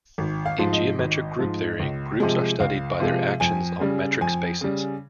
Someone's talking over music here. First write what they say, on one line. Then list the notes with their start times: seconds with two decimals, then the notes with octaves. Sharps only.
In geometric group theory, groups are studied by their actions on metric spaces.
0.18 G#1
0.46 F5
0.58 G#2 F3
0.73 D#5
0.99 G#1
1.39 G#2 F3
1.80 C#2
2.20 C3 F3 G#3
2.60 C#2 F5
3.00 C3 F3 G#3
3.40 F2 G#5
3.80 C#3 G3
4.21 F2 G#5
4.61 C#3 G3